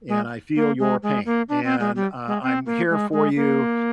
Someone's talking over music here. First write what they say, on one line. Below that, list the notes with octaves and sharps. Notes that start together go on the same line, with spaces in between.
and I feel your pain and, uh, I'm here for you,
G#3
A#3
G#3
G#3
A#3
D4
C4
G#3
G3
G#3
C4
A#3
G#3
G#3
A#3